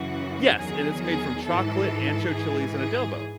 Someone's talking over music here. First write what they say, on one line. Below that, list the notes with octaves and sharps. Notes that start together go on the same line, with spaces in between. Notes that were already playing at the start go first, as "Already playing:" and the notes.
Yes, and it's made from chocolate, ancho chilies, and adobo,
Already playing: F#2 C#3 E3 F#4
E2 D#3 F#3 G#4
G#4
G#2 E3 A4
G#2 E3 G#4
G#4